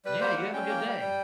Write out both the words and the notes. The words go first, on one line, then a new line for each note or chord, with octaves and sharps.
Yeah, you have a good day.
G3 B4
A#3 C5
G3 F#5
C#4 G5
A#3
G3
G3